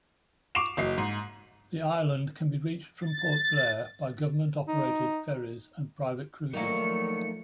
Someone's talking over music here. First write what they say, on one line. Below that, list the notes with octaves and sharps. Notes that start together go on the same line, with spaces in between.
The island can be reached from Port Blair by government-operated ferries and private cruises.
C#6 D6 C7 D7 E7 F7
F#1 F#3 D#5 C7
G#2
A6
D#4
D3 D#3 F3 F#3 A3 A#3 C#7